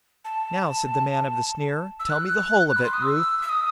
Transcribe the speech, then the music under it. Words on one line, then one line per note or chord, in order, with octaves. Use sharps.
"Now," said the man of the sneer, "tell me the whole of it, Ruth."
A5
E6
F#6
B5
C6
D#6
E6
E6
D#6